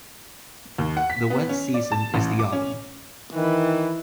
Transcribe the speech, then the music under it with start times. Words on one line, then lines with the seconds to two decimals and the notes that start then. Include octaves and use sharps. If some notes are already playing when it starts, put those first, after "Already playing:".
The wettest season is the autumn.
0.78 D#2
0.97 F#5
1.10 B6
1.30 B3
1.49 C#4
1.74 D5
1.92 A5
2.14 A1
2.39 D6
2.53 C#4
3.34 D#3 E3